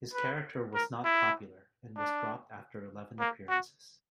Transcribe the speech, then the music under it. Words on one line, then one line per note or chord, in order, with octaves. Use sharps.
His character was not popular, and was dropped after eleven appearances.
B4
A#4
E4
D4
A#3
F#4